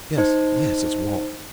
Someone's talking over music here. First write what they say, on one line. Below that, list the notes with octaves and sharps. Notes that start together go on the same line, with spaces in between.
Yes, yes, it's Walt.
D#4 C5